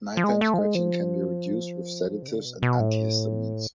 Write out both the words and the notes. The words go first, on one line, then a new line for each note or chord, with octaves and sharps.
Nighttime scratching can be reduced with sedatives and antihistamines.
F3
G#3
A3
F3
G#3
F3
C3
D3
B2
B2
A2